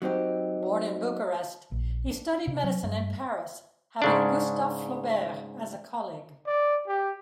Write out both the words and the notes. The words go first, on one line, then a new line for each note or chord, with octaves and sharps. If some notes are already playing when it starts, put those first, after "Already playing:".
Born in Bucharest, he studied medicine in Paris, having Gustave Flaubert as a colleague.
F#3 C4 D#4 G4
A#1
D4
C3
F#3
G2
G#2 C#3 D4
D5
G4